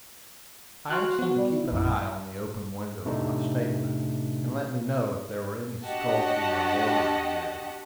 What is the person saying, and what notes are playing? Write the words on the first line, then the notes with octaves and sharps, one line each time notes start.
I asked them to keep an eye on the open windows of my state-room, and let me know if there were any skulking or loitering near them.
F#4 C6 F6 F#6
F3 B3 F#4
G3
E4
A#1 F#2 E4
A2 C3 A3 D4 D#4
D4 F#4 G4 D#5 F#5 A5